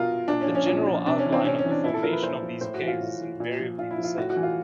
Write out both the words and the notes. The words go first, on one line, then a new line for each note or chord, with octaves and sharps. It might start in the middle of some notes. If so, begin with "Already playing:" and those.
The general outline of the formation of these caves is invariably the same.
Already playing: B2 F4 A#4
A#2 D4
C#4
F3
C#4
A#2
F3
C3 D4
C#4
E3
C4
C3 C#4
C#4
E3
D4
A#2 E4
A4
F3 A#4
B4
A#2 C5
F3
A2 C5
F#4
E3
F4
A2
E3
A#2
F3
A#2 F4
E4
F3
F4
A2 F#4
F#4
E3
F4